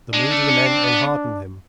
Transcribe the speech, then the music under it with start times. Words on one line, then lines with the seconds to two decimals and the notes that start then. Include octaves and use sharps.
The mood of the men enheartened him.
0.13 G#3 D4
0.31 A3
0.49 C#4
0.66 C4
0.84 B3